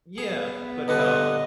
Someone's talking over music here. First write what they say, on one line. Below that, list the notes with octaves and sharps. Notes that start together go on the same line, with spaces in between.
yeah. But, um,
B3 G#4
G2 D3 D4 B4 D#5